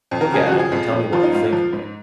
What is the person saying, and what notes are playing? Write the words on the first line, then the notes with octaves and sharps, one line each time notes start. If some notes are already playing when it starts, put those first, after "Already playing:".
"Look at it, and tell me what you think of it."
F2
A#4
C#3 G#4
F#4
F3
G#4
F2
F2
F3 F4
D#4
G#2 F4
F3
G#2